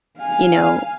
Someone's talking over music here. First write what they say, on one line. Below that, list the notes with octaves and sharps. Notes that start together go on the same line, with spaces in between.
you know,
F5 G#5